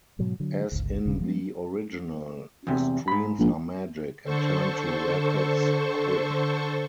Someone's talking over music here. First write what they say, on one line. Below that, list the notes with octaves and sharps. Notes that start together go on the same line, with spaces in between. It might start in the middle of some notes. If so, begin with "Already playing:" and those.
As in the original, the streams are magic, and turn to rapids quick.
G#2 B2 F#3
D3 F#3
G1 C#2
D#1 C#3 C#4
F3 G#3 A#3 B3
E2 C3
G#2 B5
A#1
D3 A4 C5 C#6